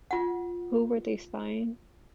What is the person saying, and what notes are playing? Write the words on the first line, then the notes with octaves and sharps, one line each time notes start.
Who were they spying?
F4 F#5